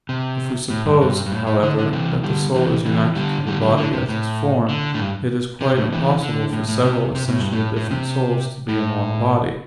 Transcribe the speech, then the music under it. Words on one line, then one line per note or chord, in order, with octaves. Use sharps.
If we suppose, however, that the soul is united to the body as its form, it is quite impossible for several essentially different souls to be in one body.
C3
A2
G2
G2
G2
A2
A2
D3
D3
C3 E3
D3 G3
C3 E3
C3 E3
D3 G3
D3 G3
D3 G3
D3
C3
A2
D3
A2
G2
C3
A2
C3 E3
D3
A2
A2
C3
C3
A2
G2
A2
A2
C3
A2